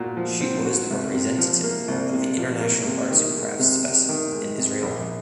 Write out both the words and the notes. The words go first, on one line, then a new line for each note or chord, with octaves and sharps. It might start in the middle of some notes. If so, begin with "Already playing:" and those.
She was the representative of the International Arts and Crafts Festival in Israel.
Already playing: A#2 F#4
F3
C4
F#4
C2
C3
F3
A#3
C2
C3
F3
A#3
C3
D#3
G#3
C3
C3
D#3
G#3
C3
A#1